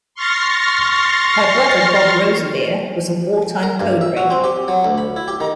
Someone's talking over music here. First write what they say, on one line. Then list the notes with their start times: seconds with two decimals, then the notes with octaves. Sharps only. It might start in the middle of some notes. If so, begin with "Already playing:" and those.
Her brother Bob Roseveare was a wartime codebreaker.
0.15 C6 C#6 F6 A6 A#6 C7
3.63 A#4
3.80 G2
4.01 E5
4.17 F#4
4.30 C4
4.44 G4
4.68 F#3
4.84 D2
4.98 B5
5.16 E4
5.28 G4
5.40 D#3